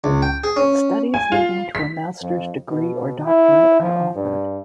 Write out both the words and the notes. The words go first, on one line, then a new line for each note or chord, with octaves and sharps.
Studies leading to a master's degree or doctorate are offered.
C#2
G5
G#4
C#4
G#5
F4
B6
F2
B2
E4
F3
G2